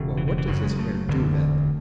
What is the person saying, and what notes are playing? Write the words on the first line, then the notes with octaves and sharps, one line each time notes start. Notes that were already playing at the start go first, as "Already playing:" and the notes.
"Well, what does his hare do, then?"
Already playing: E1 C#3
E3
E3
E3
F#1 F#2 C#3 F#3
G#3
A3
E1 D2 D3